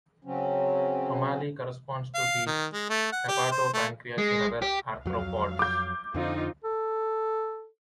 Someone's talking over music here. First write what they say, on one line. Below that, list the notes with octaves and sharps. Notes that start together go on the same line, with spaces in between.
Tomalley corresponds to the hepatopancreas in other arthropods.
C#3 F#3 C4 C#4
F5
D#3
G#3
A3
F#5
G4
C5
A3
G#3
G4
F2 F#3 F5
D6 G6
F2 D3 C4 D#4 F4
A4